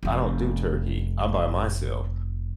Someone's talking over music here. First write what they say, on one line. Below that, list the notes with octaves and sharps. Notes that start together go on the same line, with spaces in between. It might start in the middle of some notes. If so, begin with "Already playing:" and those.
I don't do turkey. I'm by myself,
F1 F2